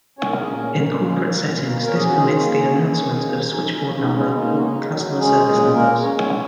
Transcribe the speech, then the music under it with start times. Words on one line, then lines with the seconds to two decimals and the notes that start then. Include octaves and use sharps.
In corporate settings this permits the announcement of switchboard number or customer service numbers.
0.19 C#4 C#5
0.29 A#4
0.39 G#4
0.47 A#2 A#3 A#4
0.74 G#3
1.02 A#3 C#4 A#4
1.30 A#2
1.58 A#3
1.85 C#4 A#4
1.95 G#4
2.06 F#4
2.13 D#3 G#3 G#4
2.41 A#3
2.68 C#4
2.97 D#3
3.24 A#3
3.52 C#4 D#4
3.72 C#4
3.79 C#3
3.93 D#4
4.05 G#3 D#4
4.15 C#4
4.36 A#3 D#4
4.58 F#4
4.62 C#3 D#4
4.91 F#3
5.18 G#3 C#4 G#4
5.46 A#2 G#3 G#4
5.74 G#3 A#3 A#4
6.02 C#4 C#5
6.17 C#4 C#5
6.30 C#3